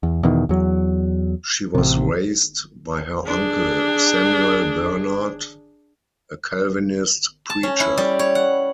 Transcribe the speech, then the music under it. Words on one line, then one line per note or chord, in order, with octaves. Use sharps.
She was raised by her uncle Samuel Bernard, a Calvinist preacher.
E2
E2 B2 D#3
E2 F#3
A1 C3
D4 G#4
A5
C#4
E4
G3
C#5
F#5